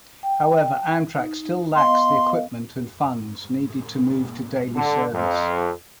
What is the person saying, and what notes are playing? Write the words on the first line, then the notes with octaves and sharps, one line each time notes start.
However, Amtrak still lacks the equipment and funds needed to move to daily service.
G5
D#4
B3 D#5 F5 C6
D3
F2